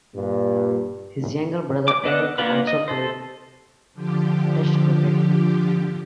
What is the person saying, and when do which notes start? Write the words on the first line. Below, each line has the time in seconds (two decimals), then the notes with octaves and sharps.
His younger brother Eric also played Test cricket.
0.15 G2 A#2
1.88 D6
2.04 B3 D4 A4 D#5 F#5
2.38 A#3 B3 D4 F4 B4
2.67 D#5
2.88 A4 C5
3.93 D3 F3 G4